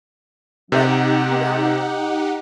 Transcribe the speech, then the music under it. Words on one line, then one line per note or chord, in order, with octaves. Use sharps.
But y you know,
C3 D#4 G4 F#5